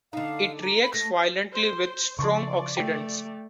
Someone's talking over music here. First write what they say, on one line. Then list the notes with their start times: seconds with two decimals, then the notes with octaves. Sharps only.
It reacts violently with strong oxidants.
0.13 D3 D#4 F5
0.62 A#5
0.82 B5
0.94 A3 A#6
1.52 C5
2.19 C#3 F3 D5 A5 C6 C#6
2.77 A3 G5